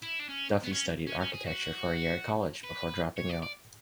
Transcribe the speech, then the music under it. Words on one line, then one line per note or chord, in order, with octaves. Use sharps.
Duffy studied architecture for a year at college, before dropping out.
E4
D4
C#4
B3
C#4
C#4
C#4
G#4
F#4
B4
C#5
D5
D5